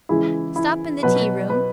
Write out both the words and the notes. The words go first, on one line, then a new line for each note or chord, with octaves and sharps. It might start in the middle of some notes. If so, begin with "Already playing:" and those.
'Stop in the tea-room.
C#3 E3 G#3 E4
E4
B2 F#3 B4
B4